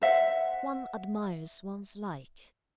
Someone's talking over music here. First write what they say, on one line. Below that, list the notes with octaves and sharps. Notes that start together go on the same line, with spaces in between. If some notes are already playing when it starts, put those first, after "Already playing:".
One admires one's like.
C5 E5 F#5